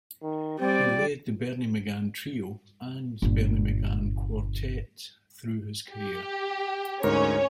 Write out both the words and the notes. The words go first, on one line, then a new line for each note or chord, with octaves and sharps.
He led the Bernie McGann Trio and Bernie McGann Quartet through his career.
D#3
G3 C4 D5
G1 A#2
G4
D2 G#2 C#4 A#4 C#5